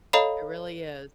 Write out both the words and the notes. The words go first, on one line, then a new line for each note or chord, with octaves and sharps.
It really is.
A4 C#5 D#5 F5 A#5 B5